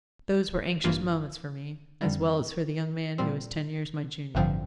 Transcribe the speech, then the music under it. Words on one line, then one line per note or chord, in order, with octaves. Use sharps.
Those were anxious moments for me, as well as for the young man who was ten years my junior.
A1 G2 E3 A#3 F4
F2 D3 G3
A#2 G3 C4
A1 G2 D3 F3 C4